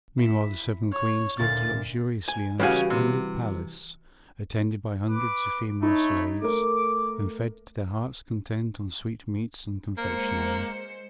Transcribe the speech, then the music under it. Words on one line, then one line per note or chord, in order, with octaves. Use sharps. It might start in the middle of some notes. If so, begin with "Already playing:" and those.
Meanwhile the seven Queens lived luxuriously in a splendid palace, attended by hundreds of female slaves, and fed to their hearts' content on sweetmeats and confectionery.
E4 B6 E7
C#5
D2 A#2 A6
G#5
C#3 E3 G3 F#4 F5 G#5
C3
B4 D6
A3 D#4 C#5 B5
A3 A#4 D6
G#3 A#3 C5 C#7